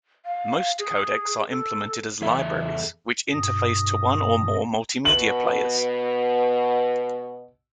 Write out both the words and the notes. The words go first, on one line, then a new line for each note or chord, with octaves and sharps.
Most codecs are implemented as libraries which interface to one or more multimedia players.
F5
G#4
A4
E2 G#4 A4 E5
G2 B2 D#6 A#6
B2 F#7